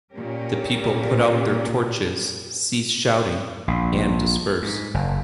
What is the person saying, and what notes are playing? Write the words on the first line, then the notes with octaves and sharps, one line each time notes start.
The people put out their torches, cease shouting, and disperse.
A#2 C#4 G4 A#4
A#1
G#2
F#1